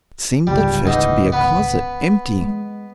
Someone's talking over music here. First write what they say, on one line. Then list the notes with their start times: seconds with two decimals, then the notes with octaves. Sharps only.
It seemed at first to be a closet, empty.
0.47 G1 C#2 G#2 G3
0.86 E2 D#4
1.32 B3 B4
2.41 G#3